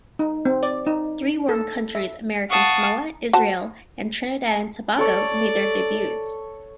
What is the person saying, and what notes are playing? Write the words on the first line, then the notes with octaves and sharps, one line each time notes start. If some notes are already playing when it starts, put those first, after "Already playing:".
Three "warm countries", American Samoa, Israel and Trinidad and Tobago, made their debuts.
D#4
C4
D5
D#4
A4
E5
F5 F#5 A5 C#6 D#6
F#4 C5 A5
A4 C#5 D5